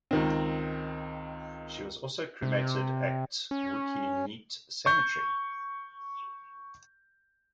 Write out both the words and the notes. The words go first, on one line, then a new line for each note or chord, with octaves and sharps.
She was also cremated at Waikumete Cemetery.
C#2 D#3 C4
C3
C#4
C#6 G6